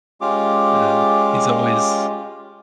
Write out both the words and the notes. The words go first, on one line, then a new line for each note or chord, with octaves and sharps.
um, he's always
G#3 C#4 F4 G4 D6